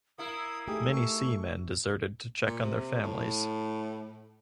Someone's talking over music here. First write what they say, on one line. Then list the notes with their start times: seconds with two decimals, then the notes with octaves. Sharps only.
Many seamen deserted to check on their families.
0.18 A#3 E4 A#4 D#6
0.68 A3 D#4 G4 G#4 D#6
0.92 C#6
2.46 A#2
2.63 C3
3.03 A2